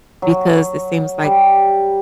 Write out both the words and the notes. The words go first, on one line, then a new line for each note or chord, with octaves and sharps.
because it seems like
F#3
G3